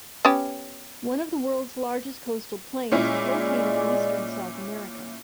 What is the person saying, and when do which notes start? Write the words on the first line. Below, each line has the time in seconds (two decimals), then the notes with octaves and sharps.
One of the world's largest coastal plains is located in eastern South America.
0.25 B3 C#4 G4
2.92 A#2 G#3 C#4 E4 D5